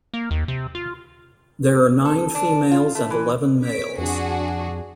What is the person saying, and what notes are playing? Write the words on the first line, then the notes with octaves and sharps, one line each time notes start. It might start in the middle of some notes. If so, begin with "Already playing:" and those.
There are nine females and eleven males.
A#3
D#2
C3
F4
A4
D4
F4
A3
E3
C#5 B6 D7
F2 D4 F#4 G#4